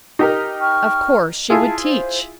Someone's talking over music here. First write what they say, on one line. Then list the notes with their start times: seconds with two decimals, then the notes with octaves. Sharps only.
Of course she would teach!
0.19 D#4 G4 A#4
0.61 G5 C#6 F6
1.50 E4 F4 G#4 A5
1.84 C5